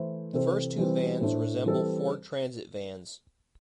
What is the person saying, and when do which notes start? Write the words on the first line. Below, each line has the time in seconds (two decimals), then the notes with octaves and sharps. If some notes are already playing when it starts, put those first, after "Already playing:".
The first two vans resemble Ford Transit Vans.
Already playing: E3 A3 E4 C5
0.33 C3 E3 C4 A4 C5
0.77 E3 G3 C4
1.21 A2 A3 D4 C5
1.66 E3 G3 C4 A4